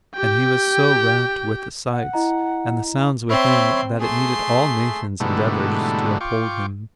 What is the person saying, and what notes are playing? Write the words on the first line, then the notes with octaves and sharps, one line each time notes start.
And he was so rapt with the sights and the sounds within, that it needed all Nathan's endeavors to uphold him.
G4 G5
F#5
E4 D#5 A#5
C4 C#5 E5 B5 C6
A3 G#4 C6
G#2 B2 D3 E3 G3 A3
F4 G5 C#6 D6